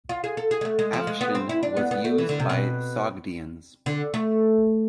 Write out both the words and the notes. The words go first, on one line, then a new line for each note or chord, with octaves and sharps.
Afshin was used by Sogdians.
F4
G#4
A4
G#4
G#3
A3
G#3
F3
G#3
B3
C4
E4
D4
B3
B3
A3
E3
D3
C3
B2
D3
A3